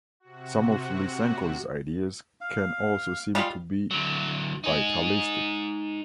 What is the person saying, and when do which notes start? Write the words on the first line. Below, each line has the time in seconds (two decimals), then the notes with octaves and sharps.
Some of Lysenko's ideas can also seem to be vitalistic.
0.20 C3 F#4
2.41 F5
3.35 G3 G#3 F4
3.91 D3 F#3
4.64 D#4 G#4